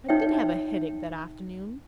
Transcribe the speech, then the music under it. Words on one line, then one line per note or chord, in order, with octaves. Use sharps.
I did have a headache that afternoon.
D#4 C#5 E5 G5